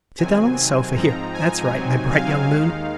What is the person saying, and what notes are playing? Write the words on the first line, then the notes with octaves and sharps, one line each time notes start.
Sit down on the sofa, here, that's right, my bright young moon.
C3 D#3 F#3 C4 G#5
G#2 F3 C4 D#4 A#5
G#5
C3 F#3 C4 D#4
F5
D#2 D#3 G#3 D#4 F5